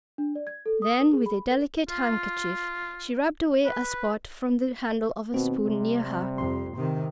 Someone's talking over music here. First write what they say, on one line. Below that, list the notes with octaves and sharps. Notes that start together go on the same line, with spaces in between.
Then with a delicate handkerchief she rubbed away a spot from the handle of a spoon near her.
D4
D5
G#6
A4
D#6
A#4
G#4
B5
A#4
F4
B4
D#2 B2 C4
C3 G3
F2 C6
C3 D#3